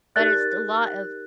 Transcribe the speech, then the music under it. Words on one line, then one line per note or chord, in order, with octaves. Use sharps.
but it's st a lot of
D#4 G4 A#4 D5 F#6 A6